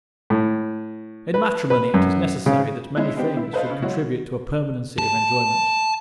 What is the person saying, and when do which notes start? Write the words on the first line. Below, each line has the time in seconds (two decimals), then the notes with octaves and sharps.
In matrimony it is necessary that many things should contribute to a permanency of enjoyment.
0.30 A2
1.34 B4
1.70 B4
1.94 F#2
2.46 C#3
2.97 G#3 C#4 D#4 E4
3.17 G#3 B3 C4 D4 G4 G5
3.37 E4
3.53 A4 B4 C5 D#5 F5
3.70 C#3
3.82 F#3 G#3 E4 F#4 C#5
4.98 A5